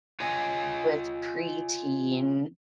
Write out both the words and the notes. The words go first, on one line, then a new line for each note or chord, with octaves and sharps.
with preteen
F4 C#5 D#5 G#5